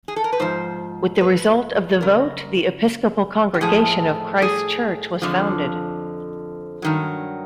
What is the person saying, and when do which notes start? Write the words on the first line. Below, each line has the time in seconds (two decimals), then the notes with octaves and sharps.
With the result of the vote, the Episcopal congregation of Christ's Church was founded.
0.08 G#4
0.16 A4
0.24 A#4
0.32 B4
0.40 G#2 F3 C5
1.21 B4
2.01 F#2 C#3 A#4
3.54 G4
3.61 A2 F3 G#4
4.42 G#4
5.22 F2 D3 F3
6.82 G2 D#3 F#3